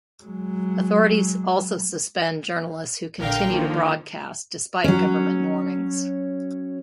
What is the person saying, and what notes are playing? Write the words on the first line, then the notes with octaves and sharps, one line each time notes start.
Authorities also suspend journalists who continue to broadcast despite government warnings.
F#3 G#3
A#1 D3 A#4 F5 G5
D3 D#3 F3 A#3
F#3 C#4